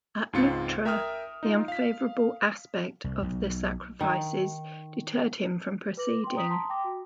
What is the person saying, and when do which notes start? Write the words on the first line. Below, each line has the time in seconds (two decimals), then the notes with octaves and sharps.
At Leuctra the unfavourable aspect of the sacrifices deterred him from proceeding.
0.33 C#2 G#2 C4 F4 A6 C#7
0.85 A#4 E5 G5 D#6 F6
1.43 D#4 F4
1.68 F5 B6
3.04 C2
3.22 B1
4.01 D#3
5.97 B4 D6 A#6 F#7
6.24 G5 C6
6.35 A#5 D#6 B6
6.50 A5 A#5 C6
6.70 G5 D6 A#6
6.84 F#4